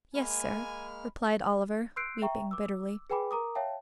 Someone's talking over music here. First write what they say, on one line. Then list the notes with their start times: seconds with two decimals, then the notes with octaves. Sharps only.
'Yes, sir,' replied Oliver, weeping bitterly.
0.14 G#3 A#3 G#5 B5 F6
1.96 C6 E6 F#6 G6 C7 D7
2.22 E5 G5 A#5 C#6
2.51 D6 E6
3.10 G#4 B4 G5 G#5 B5 D6
3.31 A#4 A#5 D6 D#6
3.55 C#5 E5 F5 G5 A5